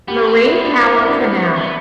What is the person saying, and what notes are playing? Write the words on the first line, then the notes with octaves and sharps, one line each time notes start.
Marie Power Canal.
B3 G4
C4
B3 E4
D4
C4
E4
D4
C4
B3